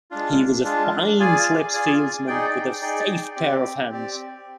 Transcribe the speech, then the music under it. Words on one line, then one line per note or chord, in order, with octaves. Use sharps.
He was a fine slips fieldsman with a safe pair of hands.
G#3 D4 F4
G#3 D4 F4
F4 G#4 D5 G#5
F4 G#4 D5 G#5
D#4 G#4 D5 G5
D#4 G#4 D5 G5
C4 G4 D5
C4 G4 D5